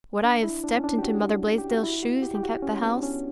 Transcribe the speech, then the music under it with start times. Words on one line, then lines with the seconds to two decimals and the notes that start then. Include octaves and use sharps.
Would I have stepped into Mother Blaisdell's shoes and kept the house?
0.24 D4
0.43 E4
0.64 D4
0.76 C#4
0.84 D4
0.98 G4
1.03 F#4
1.58 G4
1.71 F#4
1.83 E4
2.03 F#4
2.23 G4
2.35 G4
2.43 F#4
2.62 C#4
2.83 B3
2.97 D4
3.03 C#4